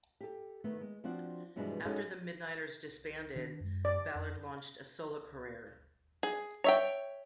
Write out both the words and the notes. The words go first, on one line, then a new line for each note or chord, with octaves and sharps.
After the Midnighters disbanded, Ballard launched a solo career.
G4 A4
D#3 A3 B3
G#3
F3 C4 D4 F#4 F#5
G2 B2 E3 F3 G#3 D4
G#3 C#4 D#4 F#4 G#4 A4
D#3 D4
F#2 G#3
D5
F2 D4
G#4
C#5 E5 G5